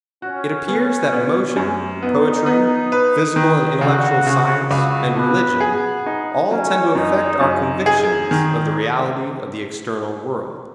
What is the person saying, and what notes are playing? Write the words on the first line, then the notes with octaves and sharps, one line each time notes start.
It appears that motion, poetry, physical and intellectual science, and religion, all tend to affect our convictions of the reality of the external world.
C#4 F#4
B3
B3
F#2
B3 D#4
B3
B4
D#3
C#3 F#4
C#3
C#2 F#4
B2 B4
B3 G#4
D#4
F#3 C#4
F#2 D#4
F#2 D#4
G#4
D#3